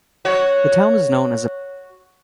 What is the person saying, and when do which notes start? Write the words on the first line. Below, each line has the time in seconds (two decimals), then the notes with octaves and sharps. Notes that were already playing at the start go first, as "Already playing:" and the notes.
The town is known as a balneologic and climatic resort.
0.25 F#4 C#5